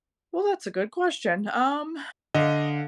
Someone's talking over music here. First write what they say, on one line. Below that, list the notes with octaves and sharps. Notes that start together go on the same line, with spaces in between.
Well, that's a good question, um
D3 D#5 F5